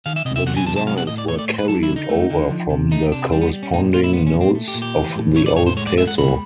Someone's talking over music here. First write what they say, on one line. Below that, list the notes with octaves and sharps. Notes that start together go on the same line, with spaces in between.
The designs were carried over from the corresponding notes of the old peso.
D#3 F5
E5
C3 D#5
E5
F#3 F#5
G#5
C3 A5
A5
F#3 F5
F#5
A2 D#5
D5
A3 C#5
D5
A2 C#5
C5
B4
F#3 A4
E4
D3
D#4
A3
D3
F3
C3
A3 D#4
C3 D4
G3 C4
B3
G3
C#4
A#2 D#4
A#2 F4
E4
F3 B3
C#4
A#2
C4
A3
G4
A#2
G4
E3
A2
A3 C#5
D5
A2 C#5
C5
G#3 C#5
D5
G#3 E5
F#5
B2 B5